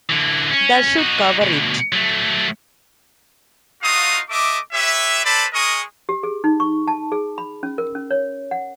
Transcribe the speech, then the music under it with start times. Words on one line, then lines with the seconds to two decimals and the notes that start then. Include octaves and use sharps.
That Should Cover It!
0.09 D3 E3
0.51 C#4
0.99 D#4 F#4
1.42 D2 B2
1.93 F#3 A3
3.82 A3 D#4 F4 F#4 F5 D#6
4.29 A3 D#5 E5 D6
4.73 G4 B4 C#5 E5
5.25 A4 B4 C5 D5 A5 B5
5.53 G#3 G#4 A#4 D#5 C#6 D#6
6.09 G4
6.23 G#4
6.44 D#4
6.60 C#6
6.88 A5
7.12 G#4
7.38 B5
7.63 C#4
7.78 A#4
7.95 C#4
8.11 C#5
8.51 F#5